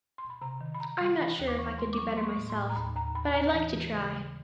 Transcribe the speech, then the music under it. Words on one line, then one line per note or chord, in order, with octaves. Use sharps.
I'm not sure if I could do better myself, but I'd like to try.
C6
B5
C3 A#5
D#3
B5
D#3 A#5
G3
E3 B5
D#2
D6
E3 C#6
G#3 C6
D6
F#3 C#6
A#3 C6
C#6
A2
C6
A2
A#5
D#2 B5
D#2 A#5
D#2 B5
D#2 A#5
A#5
E3 A5
E3
C#3
G3